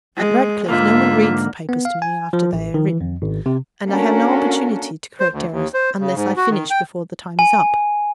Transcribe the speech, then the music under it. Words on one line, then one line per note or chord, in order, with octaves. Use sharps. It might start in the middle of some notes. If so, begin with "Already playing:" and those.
At Radcliffe no one reads the papers to me after they are written, and I have no opportunity to correct errors unless I finish before the time is up.
G#3
G#2 D3 A#3 F4 E5
B3
F5
G#5
F3
A1
D#3
E3
F2
G#1
C3
A#3 C#4 D4 F#4 A4 A#4
C5
D2
D#2
C5
C#3
G#2
F#4
D#3
G5
G#5